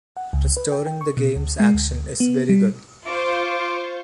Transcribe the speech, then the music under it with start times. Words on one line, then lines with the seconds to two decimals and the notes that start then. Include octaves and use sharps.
Restoring the game’s action is very good.
0.17 F#5
0.33 C#2
0.57 B4
0.72 G5
0.86 G5
1.01 C#6
1.17 B2
1.36 D2
1.60 G#3
1.74 D2
2.20 B3
2.49 G3
3.07 F4 C5 C#6 D6